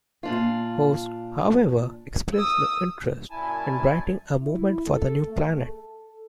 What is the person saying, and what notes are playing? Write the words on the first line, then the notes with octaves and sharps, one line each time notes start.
Holst, however, expressed no interest in writing a movement for the new planet.
A#2 D4 F4
D#6 E6
F#2 A#2 E4 G#5 A5
E4
A4
A3
A4